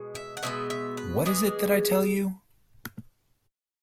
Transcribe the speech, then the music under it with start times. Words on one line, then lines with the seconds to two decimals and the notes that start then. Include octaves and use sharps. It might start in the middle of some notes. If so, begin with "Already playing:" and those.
What is it that I tell you?
Already playing: B2 G#3
0.15 E5
0.37 F#5
0.43 B2 G#3 B3 E5
0.70 E5
0.97 B4
1.25 E3 G#3 B3 G#4